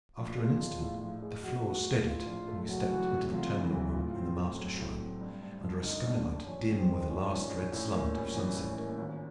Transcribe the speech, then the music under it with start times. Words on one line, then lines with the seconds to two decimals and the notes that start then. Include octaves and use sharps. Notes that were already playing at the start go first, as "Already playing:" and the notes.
After an instant the floor steadied and we stepped into the terminal room in the Mastershrine, under a skylight dim with the last red slant of sunset.
0.17 A#1 F4
0.38 G#3
0.59 F3
0.80 A2
1.01 A#1
1.22 G#3
1.43 A#1 F#4
1.64 A3
1.85 F3
2.06 A2 F4
2.27 A#1
2.48 A3
2.68 F#1 F#4
2.90 E3
3.11 C3
3.32 E2 F4
3.53 F#1
3.63 E4
3.74 E3
3.95 A2 F4
4.16 C4
4.37 A3
4.57 F#3
4.79 A2
5.00 C4
5.21 G2
5.42 G2
5.63 F3
5.83 D3 D#4
6.04 G2
6.15 D4
6.25 G2
6.46 A#1 C#4
6.67 A#1
6.78 C4
6.87 D#3
7.08 G#2 C#4
7.29 A#1
7.50 A#1
7.72 A2
7.93 A#3
8.14 G3
8.35 E3
8.56 A2
8.77 A#3
8.97 G#1